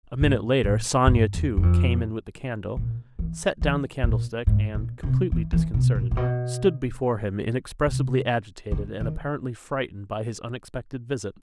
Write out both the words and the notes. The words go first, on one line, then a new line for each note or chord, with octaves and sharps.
A minute later Sonia, too, came in with the candle, set down the candlestick and, completely disconcerted, stood before him inexpressibly agitated and apparently frightened by his unexpected visit.
G#2
A2
G2
E2
F#2
F2
A#2
E3
E3
A#2
G#2
A#2
C3
E3
E3
B2
A#2
A#2
B2
C3
D3
D#3